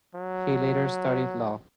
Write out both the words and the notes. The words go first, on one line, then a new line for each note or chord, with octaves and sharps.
He later studied Law.
F#3